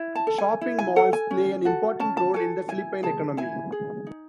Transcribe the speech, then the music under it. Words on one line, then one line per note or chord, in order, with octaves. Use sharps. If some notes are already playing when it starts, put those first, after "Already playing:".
Shopping malls play an important role in the Philippine economy.
Already playing: E4
A5
A4
G#5
E4
G#5
A4 F#5
G#5
C#4
F#4 A4
C#4 A5
A5
F#4 A4 G#5
E4 G#5
G#4 A5
E4 G#5
G#4
D#4